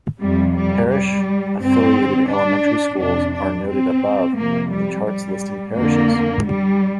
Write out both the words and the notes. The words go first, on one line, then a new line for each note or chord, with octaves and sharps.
Parish-affiliated elementary schools are noted above in the charts listing parishes.
F2 C3 G3
G3
G3
G2 D3 C4
D4
F2 C3 D4
D4
C4
F2 C3 A#3
G3
G3
F2 D3 A#3
G3